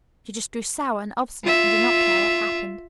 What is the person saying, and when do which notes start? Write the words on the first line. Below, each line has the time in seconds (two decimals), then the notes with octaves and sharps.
She just grew sour and obstinate and did not care what happened.
1.43 F4 E5